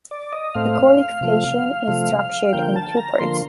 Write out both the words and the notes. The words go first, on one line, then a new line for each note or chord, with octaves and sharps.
The qualification is structured in two parts.
D5
D#5
A2 A3 C4 F5
C3 F3 A3
C3 F3 A3
D3 F3 A#3 G5
A5
A#5
D3 F3 A#3 C6